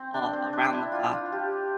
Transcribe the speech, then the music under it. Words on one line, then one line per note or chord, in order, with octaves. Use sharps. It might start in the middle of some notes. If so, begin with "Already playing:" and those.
all around the clock.
Already playing: C4
D4
C4
D4
E4
F4
F4
G4